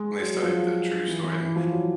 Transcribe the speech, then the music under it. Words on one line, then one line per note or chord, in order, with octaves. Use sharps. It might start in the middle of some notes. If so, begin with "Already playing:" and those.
and they studied the true story, and,
Already playing: G#3
F#3
F#3
F3
E3
E3
E3
F3
F#3